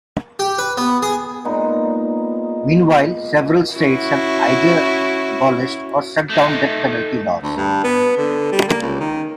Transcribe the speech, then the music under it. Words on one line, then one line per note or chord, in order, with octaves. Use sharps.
Meanwhile, several states have either abolished or struck down death penalty laws.
G4
B4
B3
G#4
A#2 G#3 B3 D#4
C#4 E4 F#4
A3 D#4
D2
G2
B3
D3
G3
A#3
C#2
D#3